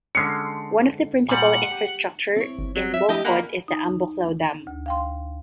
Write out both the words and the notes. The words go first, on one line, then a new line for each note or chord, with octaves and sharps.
One of the principal infrastructure in Bokod is the Ambuklao Dam.
D3 G#3 C#4 C7 C#7
A#2 G3 F#5 F#6
G4
C4 E4 C#5
G1
F#3 C4 F#4
E5
F3 A3 D4 E4 G4 D#5 E5
A#3 D5 D#5 F#5 G#5 A#5 B5
D#4
D2
F5 G5 C6